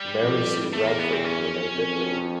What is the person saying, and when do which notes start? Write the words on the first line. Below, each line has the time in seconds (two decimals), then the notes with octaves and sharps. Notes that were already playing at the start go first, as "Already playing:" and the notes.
Mary Sue Radford remained at lead.
Already playing: G3
0.22 F2
0.73 E2 A3
0.86 A#3
0.98 B3
1.11 C4
1.24 C#4
1.75 F2